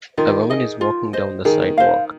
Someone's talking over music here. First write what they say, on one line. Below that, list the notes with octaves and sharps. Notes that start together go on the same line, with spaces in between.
A woman is walking down the sidewalk.
D#3 F4
G#4 D#5
F4
C5 D#5
D#3 G#4
C5 F5